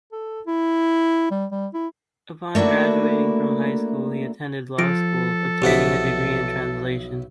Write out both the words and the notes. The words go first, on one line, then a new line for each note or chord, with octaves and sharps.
Upon graduating from high school, he attended law school, obtaining a degree in translation.
A4
E4
G3
G3
E4
A3 A#3 D4 E4 F#4
F3 A4 A#6 D7
B1 B3 E4 G4 C5 B6